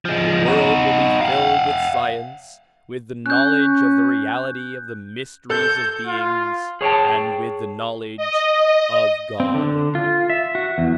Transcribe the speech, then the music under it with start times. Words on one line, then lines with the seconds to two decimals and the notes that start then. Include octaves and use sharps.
The world will be filled with science, with the knowledge of the reality of the mysteries of beings, and with the knowledge of God.
0.05 F3 G#3
0.46 D#4 F#4
1.21 F5 F#5
3.26 C#4 F#6 G6
5.50 A4 G6
6.07 F4
6.81 G#4 C#5 E5 G5 A5
8.17 D#5
9.40 C4
9.54 D3
9.95 F4
10.30 E5
10.55 F#4
10.78 E2